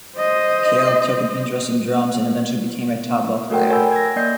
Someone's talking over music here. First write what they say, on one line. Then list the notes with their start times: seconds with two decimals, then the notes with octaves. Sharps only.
Kale took an interest in drums and eventually became a tabla player.
0.17 C5 D#5
3.50 A3 F#4 A4 A#4 F#5 G5
3.69 A#4 C#5 G5 G#5 B5 E6
3.92 G#6 A#6
4.16 A#3 D5 D#5 G6 C7